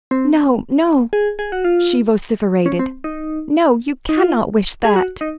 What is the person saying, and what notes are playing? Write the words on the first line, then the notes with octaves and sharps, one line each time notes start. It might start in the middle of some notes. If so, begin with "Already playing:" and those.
"No, no," she vociferated, "no, you cannot wish that!"
C4
G#4
G#4
F#4
F4
C#4
C4
D#4
D#4
F4
G#4
F#4
D#4